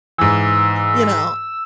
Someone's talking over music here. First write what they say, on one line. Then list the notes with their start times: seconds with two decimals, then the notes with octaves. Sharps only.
you know,
0.18 G#2 E3 E6